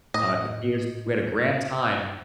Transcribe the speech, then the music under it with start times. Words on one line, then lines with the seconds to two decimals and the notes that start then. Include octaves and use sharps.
I'm at the theaters, we had a grand time.
0.14 A2 D#5